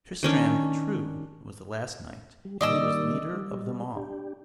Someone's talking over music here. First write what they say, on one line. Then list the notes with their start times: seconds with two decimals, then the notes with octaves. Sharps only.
Tristram the True was the last knight, and he was leader of them all.
0.23 D#3 C#4 D4
2.45 G3
2.61 D#3 G3 A#3 D5 D#5 E6
3.33 G3
3.96 D4 G4